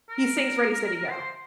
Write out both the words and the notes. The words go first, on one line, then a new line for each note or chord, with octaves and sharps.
he sings "Ready Steady Go!"
A#4
C5